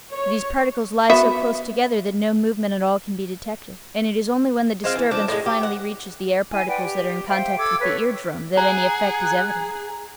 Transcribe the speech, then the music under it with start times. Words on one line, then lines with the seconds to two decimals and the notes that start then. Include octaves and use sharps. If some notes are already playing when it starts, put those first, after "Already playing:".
These particles lie so close together that no movement at all can be detected, and it is only when the disturbance finally reaches the air-particles that are in contact with the ear-drum that any effect is evident.
0.11 C#5
1.10 B3 F#4 E5
4.84 G#3 C4 F4
4.96 E3
5.11 F3 D4
5.28 A2 G#3
5.46 G4
5.63 F#5
6.52 E4 G#5
6.68 B4 D5 F#5 G5
6.82 G4
7.28 C5 E5 F5 G5
7.58 A4 D6 E6 G#6
7.81 A4 B4 C#5
8.57 G#4 F#5 A#5